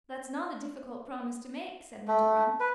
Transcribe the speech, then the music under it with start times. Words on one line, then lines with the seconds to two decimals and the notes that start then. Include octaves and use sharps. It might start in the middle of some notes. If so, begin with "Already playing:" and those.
"That's not a difficult promise to make," said Winterbourne.
2.08 A3
2.60 B4